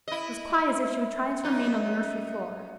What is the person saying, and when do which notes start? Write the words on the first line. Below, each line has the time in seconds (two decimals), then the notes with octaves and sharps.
It was quite as if she were trying to remain on the nursery floor.
0.08 E4 D#5
1.44 F#2 D#4